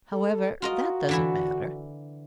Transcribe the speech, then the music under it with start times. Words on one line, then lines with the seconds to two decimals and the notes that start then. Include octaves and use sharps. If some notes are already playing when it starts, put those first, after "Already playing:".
However, that doesn't matter.
0.12 A4
0.62 F4 F#4 A#4 D#5
1.09 D3 E3 E4